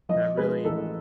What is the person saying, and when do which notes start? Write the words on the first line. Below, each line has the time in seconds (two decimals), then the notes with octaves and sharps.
that really,
0.09 F3 D#5
0.37 G#3 B4
0.65 A1 A4